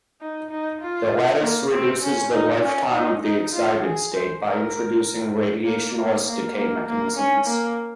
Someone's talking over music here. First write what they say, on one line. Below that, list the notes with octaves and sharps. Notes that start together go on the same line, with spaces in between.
The lattice reduces the lifetime of the excited state by introducing radiationless decay mechanisms.
D#4
D#4
F4
A#3
C4
C#4
D#4
C#4
D#4
D#4
F4
G#4
C5
A#4
A#3
A#3
A#3
A#3
A#3
C#4
A#3